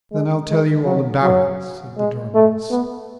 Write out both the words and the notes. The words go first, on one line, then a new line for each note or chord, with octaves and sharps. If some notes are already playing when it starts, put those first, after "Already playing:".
"Then I will tell you all about it," said the Dormouse.
G#3
G#3
F#3
F#3
G#3
A3
B3